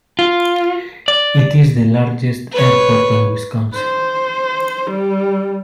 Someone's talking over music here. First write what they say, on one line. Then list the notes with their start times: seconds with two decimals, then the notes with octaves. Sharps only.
It is the largest airport in Wisconsin.
0.19 F4
1.08 D5
2.51 B4 C#5
3.74 C5
4.91 G3